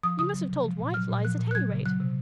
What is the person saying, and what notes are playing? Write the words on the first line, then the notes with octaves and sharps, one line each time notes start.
You must have told white lies, at any rate.
F3 D#6
C#3 D#6
F#3
C3
F3
A#2
F#3 F6
A#2
F3 F#6
A#2
F#6
F#3 G#6
C#3
F#3 F#6
C3